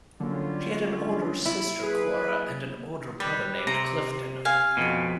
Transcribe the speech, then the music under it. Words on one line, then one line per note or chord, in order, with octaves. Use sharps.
She had an older sister, Cora, and an older brother named Clifton.
D3 F#3 G3 A#3 C#4 F4
E4
G#4 B4
G3 B4
C3 A#5
F5 G#5
F2 B2